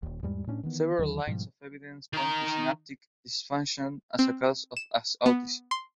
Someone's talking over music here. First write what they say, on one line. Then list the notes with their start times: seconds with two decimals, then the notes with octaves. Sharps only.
Several lines of evidence point to synaptic dysfunction as a cause of autism.
0.03 D#1 D#2
0.23 E2 G#2 G3 G#3
0.47 A2 C#4 D4
0.63 D#3 E3 B3
0.99 D#2 D3 D#3 F#3
1.27 G#2 B2 F3 G3
2.13 D#3 A#5
4.19 C4
4.77 E7
5.26 B3
5.71 C6